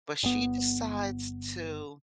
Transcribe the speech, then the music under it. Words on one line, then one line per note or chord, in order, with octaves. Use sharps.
But she decides to
G1 B3